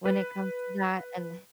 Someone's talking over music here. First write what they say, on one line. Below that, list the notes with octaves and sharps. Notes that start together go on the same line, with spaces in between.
when it comes to that, an
B4